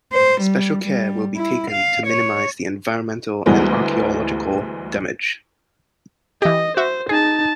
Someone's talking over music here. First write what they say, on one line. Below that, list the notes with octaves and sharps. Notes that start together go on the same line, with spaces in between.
Special care will be taken to minimize the environmental and archaeological damage.
C5
G3
G3
E4
F5
C#5
D2 E3 G3 G#3 B3
E3 G4 D#5
F#4 C5 E5
D#4 G#4 A5